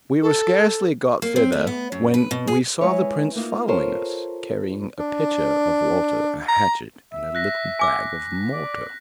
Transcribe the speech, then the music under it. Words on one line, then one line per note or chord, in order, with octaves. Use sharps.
We were scarcely got thither, when we saw the prince following us, carrying a pitcher of water, a hatchet, and a little bag of mortar.
A4
A#3
C4
A3
B3
F#2
B4
B2
G#4
G#3 E4 B4 C#5
A#3 D#4 F4
F4 A4 A#4 C5 C#5
D4
A#5
E5
F#6 A#6 B6
G#5 D6 E6
D5